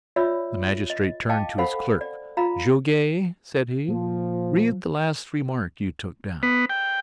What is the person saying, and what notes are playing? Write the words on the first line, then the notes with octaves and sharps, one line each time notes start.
The magistrate turned to his clerk: "Goguet," said he, "read the last remark you took down."
F4 C#5 D5 E5 B5 E6
D#5
D#5 F5 G5 A5 D6
A4 C5 F5 F#5 B5
D5
F4 F5 A#5 B5
A#2 F3
B3
G5